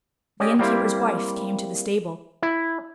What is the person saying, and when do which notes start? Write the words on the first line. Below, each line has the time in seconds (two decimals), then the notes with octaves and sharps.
The inn-keeper's wife came to the stable.
0.40 C#4 G4 D5 D#5
0.59 G3 A#3 C4 E4 F5
2.43 E4